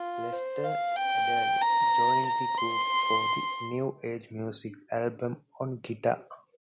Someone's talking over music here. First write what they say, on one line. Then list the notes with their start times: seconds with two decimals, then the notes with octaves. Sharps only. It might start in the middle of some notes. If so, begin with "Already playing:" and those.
Lester Adderley joined the group for the "New Age Music" album on guitar.
Already playing: F4
0.32 C5
0.64 F5
0.96 G5
1.61 A#5
2.26 A#5
2.58 C6